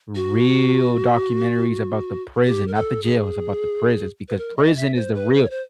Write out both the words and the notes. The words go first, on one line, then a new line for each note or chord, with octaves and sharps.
real documentaries about the prison not the jails, it's about the prisons because prison is the real
F#4
G4
A#4
A4
G#4
B4
A#4
D#5
E5
C5
B4
C5
C#5
C5